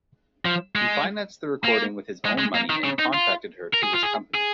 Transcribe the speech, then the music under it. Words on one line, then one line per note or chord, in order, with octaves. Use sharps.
He financed the recording with his own money and contracted her to his company.
F3
G#3
A#3
G#3
G#3
A#3
D#3
C#3
D#4
F4
A#4
G#4
F4
G#4
G#4